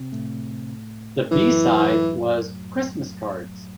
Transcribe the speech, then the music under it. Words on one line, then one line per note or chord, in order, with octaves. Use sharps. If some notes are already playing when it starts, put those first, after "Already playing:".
The B-side was "Christmas Cards".
Already playing: C3 C4
A2 A3
F#2 E3 F#3